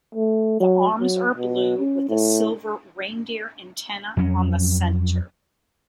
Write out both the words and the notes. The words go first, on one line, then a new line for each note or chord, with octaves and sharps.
The arms are blue with a silver reindeer antler on the center.
A3
F#3
F#3
B2
C#4
A2
F2 F#3 C#4